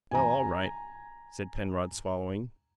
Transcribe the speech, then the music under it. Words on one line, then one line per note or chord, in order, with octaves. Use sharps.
"Well, all right," said Penrod, swallowing.
G#5 A#5